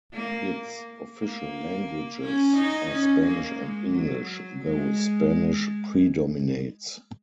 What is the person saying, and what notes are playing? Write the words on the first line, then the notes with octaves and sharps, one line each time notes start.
Its official languages are Spanish and English, though Spanish predominates.
A#3
A#3
C#4
D#4
C#4
A#3
G#3
F#3
G#3